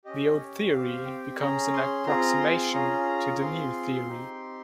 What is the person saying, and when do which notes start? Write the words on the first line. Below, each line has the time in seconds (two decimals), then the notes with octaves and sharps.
The old theory becomes an approximation to the new theory.
0.05 C#4 G4 D#5
0.39 C#5
0.72 C4 G4 F5
1.06 G5
1.39 C#4 G#4 A#5
1.73 C6
2.06 C4 F4 G#4 A#5
2.40 C6
2.73 C#4 F4 G#4 A#5
3.40 C4 F4 G#4 C6
4.07 C4 D#4 G4